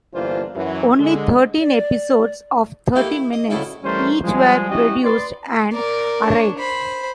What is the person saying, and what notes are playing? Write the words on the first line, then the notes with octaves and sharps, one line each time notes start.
Only thirteen episodes of thirty-minutes each were produced and aired.
G1 E3 A#3 D4 F4 C5
F#2 E3 F#3
D3 G#3
D5
A3 A#3 D#4 E4 G4 A#4
E4
D#5
D2 A2 C#3 E4 A4 E5
E3 G3 A3 C#4 A#4 C5
F3 G3 G#3
C#4 E4 F#4 G4 D#5
B4 D5 C6
A#4 D5
D4 C#5
C5 B5